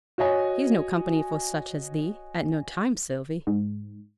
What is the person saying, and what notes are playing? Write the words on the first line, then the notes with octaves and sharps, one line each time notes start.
He's no company for such as thee, at no time, Sylvie.'
F#4 C#5 D#5 G#5
G#2